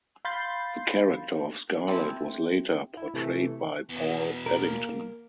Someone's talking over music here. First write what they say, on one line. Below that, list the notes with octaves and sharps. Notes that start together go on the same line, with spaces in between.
The character of Scarlet was later portrayed by Paul Eddington.
F5 B5 C6 G6 A6 C7
C4 E4 G4 G#5 A5
E4
C3 E3 A3
E2 B2 B3
A#3 A#4